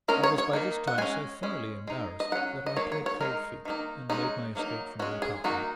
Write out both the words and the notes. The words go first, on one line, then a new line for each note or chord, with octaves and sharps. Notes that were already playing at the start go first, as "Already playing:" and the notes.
I was by this time so thoroughly embarrassed that I pled cold feet, and made my escape from the apartment.
G#3 C#4 A#4
C#5
C#5
D#3 A#3 D#4
F#5
G#3 C#4 G#5
G#3 C#4
G#3 D#4
D#5
F#3 C#4 F#5
D#5
F#3 A#3 C#5
C#5
C#5
D#3 G#3 D#4 A#4
D#3 A#3 D#4
G#3 C#4 D#4
F#3 A#3 D#4
G#3 C#4 F#4
G#4
D#3 A#3 D#4 F#4